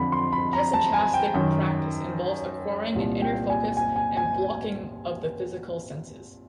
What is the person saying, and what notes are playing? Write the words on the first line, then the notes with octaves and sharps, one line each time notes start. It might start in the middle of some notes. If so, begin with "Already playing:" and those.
Hesychastic practice involves acquiring an inner focus and blocking of the physical senses.
Already playing: F2 D3 B5
C6
B5
A#5
A5
G#5
G5
F#2 D#3
C2 A#2
G5
G#5
G#5
G#5
G#5